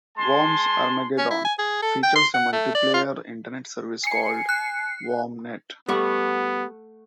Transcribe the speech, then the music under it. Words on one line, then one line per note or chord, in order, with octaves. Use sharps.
"Worms Armageddon" features a multiplayer Internet service called WormNet.
G#3 A5 C6
C#4
E4
G#5
G#4
A4
G5
C6
F#5
A3
D5
F4
G#5 C7 C#7
F#6
G3 A3 B3 F#5 C#6